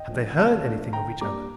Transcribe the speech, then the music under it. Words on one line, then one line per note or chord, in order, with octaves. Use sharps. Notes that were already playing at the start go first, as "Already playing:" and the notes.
Had they heard anything of each other?
Already playing: D#5 G5
F3 A3 D4
C3 F5 A5
F3 A3 D4
D3 G5 A#5
G3 A#3 D4 A#5 D6